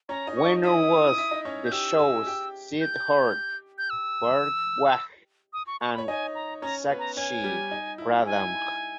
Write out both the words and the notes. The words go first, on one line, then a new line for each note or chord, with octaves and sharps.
Winner was the shows Sidharth Bhardwaj and Sakshi Pradhan.
C#4 C#5 A#5
D#4 D#5
C#6
D#4 D#5
E4 E5 D#6
E4 E5
D#4 D#5
C#4 C#5
G6
G4 G5 E6
G#4 G#5
G4 G5
G6
G6
E6
D#6
C#6
C#6
C#5 B5
D#4 D#5 G#5
A#5
C#4 C#5 A#5
B3 B4
A#5
C#4 C#5 G#5
G3 G4
D#4
E4
G#5